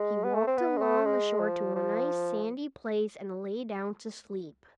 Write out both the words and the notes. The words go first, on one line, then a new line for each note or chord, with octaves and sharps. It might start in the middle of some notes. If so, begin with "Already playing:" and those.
He walked along the shore to a nice sandy place and lay down to sleep.
Already playing: G#3
B3
A3
C4
B3
G#3
A3
G#3
F3
F3